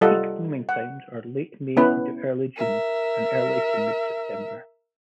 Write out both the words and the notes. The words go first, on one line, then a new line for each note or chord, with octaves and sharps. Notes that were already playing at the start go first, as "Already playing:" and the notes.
Peak blooming times are late May into early June, and early to mid-September.
G3 F4 A4 D#5 F#5
F#5
B3 C#4 E4 B4
A#4 E5